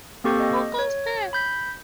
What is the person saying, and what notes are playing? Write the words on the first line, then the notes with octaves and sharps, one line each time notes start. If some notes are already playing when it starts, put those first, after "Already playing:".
Who goes there?
A#3 C4 G4 A4 C#6 G6
D#5
C#5
B5 G6 B6